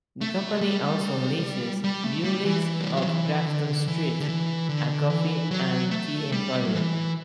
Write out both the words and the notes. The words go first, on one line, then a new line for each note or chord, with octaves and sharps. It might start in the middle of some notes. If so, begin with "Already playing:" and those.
The company also leases Bewley's of Grafton Street, a coffee and tea emporium.
A3
G3
G3
A3
G3
E3
E3
G3
F#3
E3
D3
E3
D3
E3
D3
E3
F#3
A3
G3
F#3
E3